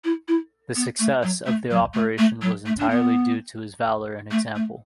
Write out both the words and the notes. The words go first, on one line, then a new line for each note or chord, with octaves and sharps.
The success of the operation was entirely due to his valour and example.
E4
E4
B3
A3
F#3
A3
F#3
A3
A3
F#3
A3
D4
B3
A3
A3